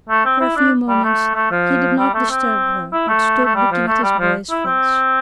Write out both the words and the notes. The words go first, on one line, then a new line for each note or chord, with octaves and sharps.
For a few moments he did not disturb her, but stood looking at his boy's face.
A3
C4
E4
D4
G3
A3
A3
F3
G3
A3
C4
E4
A3
A3
G3
F3
A3
G3
F3
E4
C4